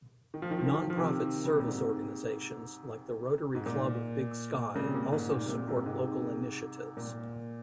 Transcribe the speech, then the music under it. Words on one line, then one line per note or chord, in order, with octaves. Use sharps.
Non-profit service organizations like the Rotary Club of Big Sky also support local initiatives.
D#3
F3
D#3
F3
D#3
F3
D#3
F3
C3 D#3
C#3
C3
A#2
G#2 C3
G#2
A#2
A#2 C#3
C3
A#2
G#2
A#2
C3
A#2
G#2 C3
G#2 C3
A#2